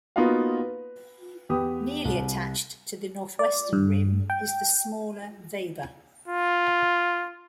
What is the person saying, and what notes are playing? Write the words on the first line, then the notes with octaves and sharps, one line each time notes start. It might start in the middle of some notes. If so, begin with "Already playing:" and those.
Nearly attached to the northwestern rim is the smaller Weber.
A#3 B3 D#4 F4 F#4 F5
B4
E2 G4 B4 D#6
C2
D5
G2
G5
F4